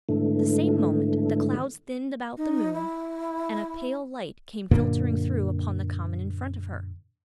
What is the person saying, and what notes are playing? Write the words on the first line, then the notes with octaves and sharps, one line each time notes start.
The same moment the clouds thinned about the moon, and a pale light came filtering through upon the common in front of her.
G#2 D3 E3 A3
D#4
E4
F#2 A#2 D3 A#3